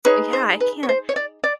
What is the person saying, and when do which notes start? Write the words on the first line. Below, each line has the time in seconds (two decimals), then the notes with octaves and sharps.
yeah, I can't
0.05 D#4 G#4 B4 C#5
0.33 C5
0.60 B4
0.83 C#5
0.89 C5
1.09 C#5
1.16 D5
1.44 D5